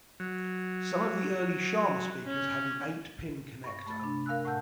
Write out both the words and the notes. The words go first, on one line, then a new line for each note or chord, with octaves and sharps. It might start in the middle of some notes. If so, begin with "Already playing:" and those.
Some of the early Sharma speakers had an eight pin connector.
F#3
C#4
G2 C#6 A#6
A3 B5 A6
C3 D4
A#4 F5 G#5 E6 F#6
A2 F#5 A5 E6 G6